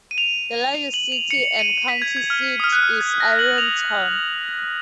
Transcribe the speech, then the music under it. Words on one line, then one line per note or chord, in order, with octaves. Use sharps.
The largest city and county seat is Ironton.
D#7
F7
F7
F#7
F7
C#7
D#7
B6
G#6
G#6
F6
D#6
F6
F#6
F6
G#6
A#6
F#7
F7